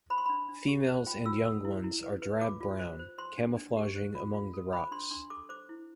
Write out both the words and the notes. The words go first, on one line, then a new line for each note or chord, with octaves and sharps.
Females and young ones are drab brown, camouflaging among the rocks.
C5 B5
C6
D4 B5
D4
G4
C5 A5
F4 G5
F4 E6
A4 E6
E4
E4
B4
B4
F4 D6
F4
C5
C5
C5 C6
D4
D4
G4
C5
F4
F4
A4
C5 B5
D4 C6
D4 C6
A4 D6
C5 D6
E4